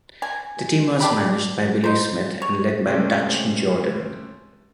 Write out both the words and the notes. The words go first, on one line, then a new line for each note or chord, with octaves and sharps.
The team was managed by Billy Smith and led by Dutch Jordan.
G#5
D4 G4 B5
D#4 C5
C#5
C3 G#3 A3 C#4